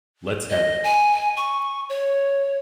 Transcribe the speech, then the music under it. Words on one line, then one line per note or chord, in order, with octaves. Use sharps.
Let's have it.
D#5
G#5
C#6
C#5